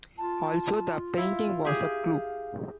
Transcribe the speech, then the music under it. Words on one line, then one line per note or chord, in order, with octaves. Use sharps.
Also, the painting was a clue.
F4 A5
E4 F5
G4 G#4